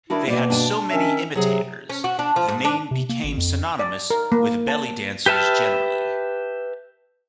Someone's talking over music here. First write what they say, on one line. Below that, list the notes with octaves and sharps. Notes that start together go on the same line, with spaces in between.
They had so many imitators, the name became synonymous with belly dancers generally.
D#3 D4 E4 F#4
B2 A#3 C5 D5
D4 G#5 A5
D#3 C#4 E5
C3 F#3 G#4
C#4
F#4
D4
F3
G#2
D4
C3
A#3
G#1
F2
D5
A#4
A#3
A5
G4 B4 E5 A5 F6